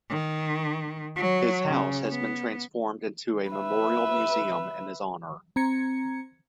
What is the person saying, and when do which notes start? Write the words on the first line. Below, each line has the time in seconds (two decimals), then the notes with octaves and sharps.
His house has been transformed into a Memorial Museum in his honour.
0.10 D#3
1.16 F#3
1.68 C#3
2.09 B3
3.51 B4 E5
5.56 C4 A#5 G#6 C#7